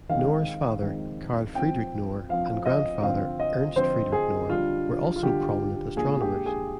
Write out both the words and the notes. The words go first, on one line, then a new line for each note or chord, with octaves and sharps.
Knorre's father, Karl Friedrich Knorre, and grandfather, Ernst Friedrich Knorre, were also prominent astronomers.
D#3 G#3 C4 F5
D#3 G#3 C4
F3 C4 G5
F3 C4 F5
D#5
D3 F3 C4 F5
D#5
D3 F3 C4 C5
G#4
D3 G3 D4 F4
F4
D3 G3 D4 G4
A#2 G#3 D4 G#4
G4
G#4